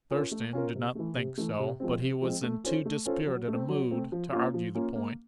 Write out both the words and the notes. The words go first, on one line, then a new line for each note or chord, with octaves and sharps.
Thurston did not think so, but he was in too dispirited a mood to argue the point.
C#4 F4 A#4
A3
C#4 F4 A#4
C3
E3 A3
C3
E3 A3
C3
F3 G#3 C4
C3
F3 G#3 C4
A3
C#4 F4 A4 C5
A3
C#4 F4 A4 C5
F#3
A3 C4
F#3
A3 C4
F3
A#3 C#4 F4
F3
A#3 C#4 F4
A#3